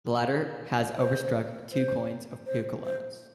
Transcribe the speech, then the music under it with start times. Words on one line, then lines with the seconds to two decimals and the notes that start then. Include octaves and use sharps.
The latter has overstruck two coins of Peucolaos.
0.98 C5
1.72 C5
2.46 C5
2.85 C5